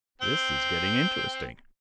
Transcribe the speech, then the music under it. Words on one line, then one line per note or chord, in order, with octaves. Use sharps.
This is getting interesting!
C4 G5